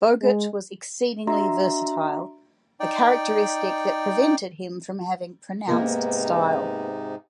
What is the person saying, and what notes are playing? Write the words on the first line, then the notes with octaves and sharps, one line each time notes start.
Bogert was exceedingly versatile, a characteristic that prevented him from having pronounced style.
G#3
D4 F#4 D#5 E5 A#5 C6
D#4 D5 G5
G#2 C3 A#3 B3 D#4 A#4